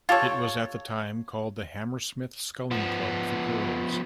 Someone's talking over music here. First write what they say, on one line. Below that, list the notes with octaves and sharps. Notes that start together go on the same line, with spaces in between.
It was at the time called the Hammersmith Sculling Club for Girls.
F4 G4 A4 C#5
F3 B3